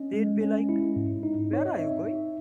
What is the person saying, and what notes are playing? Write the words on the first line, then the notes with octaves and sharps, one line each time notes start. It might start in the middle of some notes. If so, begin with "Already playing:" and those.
They'd be like, 'Where are you going?
Already playing: C#4 D#5
G#3
C#4
E4
G#2
D#4
C4 C#5
D#5
D#4 E5
D#4